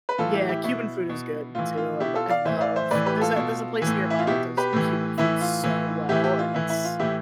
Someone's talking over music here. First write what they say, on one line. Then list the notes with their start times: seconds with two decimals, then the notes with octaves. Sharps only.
Yeah, Cuban food is good too, I l I love there's a there's a place nearby that does Cuban food so well, and it's
0.09 B4
0.18 A2 E3 F4 A4
0.33 E4 G4
0.49 E4 G4
0.64 B2 E4
1.09 B2
1.55 A2 E3 F4
1.77 F4
2.00 B2 E4 G4
2.15 F4 A4
2.30 D5 F5
2.45 A2 E3 C5 E5
2.61 D5 F5
2.76 C5 E5
2.91 A2 E3 B4 D5
3.06 G4 B4
3.21 F4 A4
3.36 B2
3.82 A2 E3
4.10 E4
4.19 F4
4.27 B2 E4 G4
4.57 G4 B4
4.73 A2 E3
5.18 A2 E3 E4
5.41 F4
5.63 A2 E3
6.09 A2 E3 E4 G4
6.24 E4 G4
6.39 F4
6.54 A2 E3 E4
6.69 E4
6.84 F4
6.99 A2 E3 E4 G4